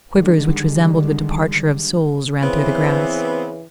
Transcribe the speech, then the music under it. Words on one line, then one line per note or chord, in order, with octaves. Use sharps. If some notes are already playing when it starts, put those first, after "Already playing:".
Quivers which resembled the departure of souls ran through the grass.
D3 D#3 G3 G#3
C#3 E3 B3 C4